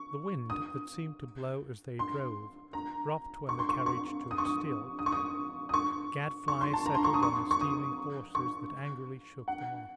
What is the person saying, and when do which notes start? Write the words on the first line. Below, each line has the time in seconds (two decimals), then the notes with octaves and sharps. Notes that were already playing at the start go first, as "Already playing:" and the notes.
The wind, that seemed to blow as they drove, dropped when the carriage stood still; gadflies settled on the steaming horses that angrily shook them off.
Already playing: C#6
0.50 D#6
1.99 C6
2.73 A#5
3.49 C#6
3.59 C6
3.69 C#6
3.86 C#6
4.31 D#6
4.38 C#6
4.45 D#6
4.99 D#6
5.06 C#6
5.12 D#6
5.69 D#6
5.74 C#6
6.48 C#6
6.61 C6
6.73 A5
6.86 A#5
6.94 C6
7.04 C#6
7.14 D#6
7.22 C#6
7.32 C6
7.51 C#6
7.61 D#6
8.35 C#6
9.48 F#5